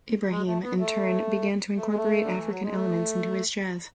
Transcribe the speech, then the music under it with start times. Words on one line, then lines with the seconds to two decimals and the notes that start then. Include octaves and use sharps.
Ibrahim in turn began to incorporate African elements into his jazz.
0.31 G#3
0.47 A3
0.63 B3
0.79 A3
1.77 A3
1.88 G#3
1.96 A3
2.22 D3
2.37 E3
2.49 F#3
2.63 G#3
2.75 A3